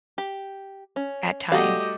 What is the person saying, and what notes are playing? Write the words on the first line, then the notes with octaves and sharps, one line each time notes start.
at times.
G4
C#4
G3 A3 F#4 G4 D#5 F5